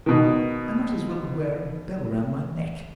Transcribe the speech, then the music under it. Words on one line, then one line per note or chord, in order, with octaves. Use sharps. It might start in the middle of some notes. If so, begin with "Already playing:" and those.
I might as well wear a bell round my neck.
B2 D#3